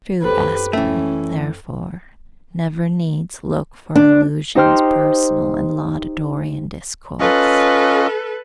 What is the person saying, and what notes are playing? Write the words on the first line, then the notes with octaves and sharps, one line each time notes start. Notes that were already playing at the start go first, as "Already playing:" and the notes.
A true aspirant therefore never needs look for allusions personal and laudatory in discourse.
F#2 G4 A4 B4 C5
E3 A3 C#4 G5
D4
D#4 G4 C5 G5 F6
C#4 F4 A4 B4 D#5